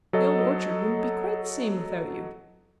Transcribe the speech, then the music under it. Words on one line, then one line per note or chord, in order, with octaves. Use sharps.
The Old Orchard wouldn't be quite the same without you.
F#3 A4 D#5